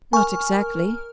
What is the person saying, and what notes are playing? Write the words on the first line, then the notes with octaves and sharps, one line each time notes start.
"Not exactly."
A#4 G#5 C#6 F6